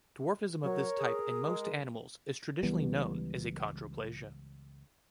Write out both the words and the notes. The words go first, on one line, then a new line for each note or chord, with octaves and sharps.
Dwarfism of this type in most animals is traditionally known as achondroplasia.
F#3 A#4 C#5
G#4
G#3
C#2 E3 G3 B3